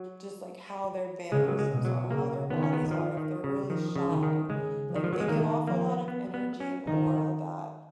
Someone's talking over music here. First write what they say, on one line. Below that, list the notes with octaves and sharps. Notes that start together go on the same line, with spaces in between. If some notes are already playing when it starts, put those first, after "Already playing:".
just, like, how their mannerisms are, how their bodies are, if they're really shy. Like, they give off a lot of energy and aura that
Already playing: F#3
C#3 G#3
F#3
G#3
B2
F#3
C#3 A#3
D#3 B3
C#4
B3
F3
D#3
C#3
D#3 F3
C#3
D#3
D#3
C#3 G#3
F3
D#3
F3
F#3
G#3
D#3 A#3
F3 A#3
B3
B3
C#4
D#3 D#4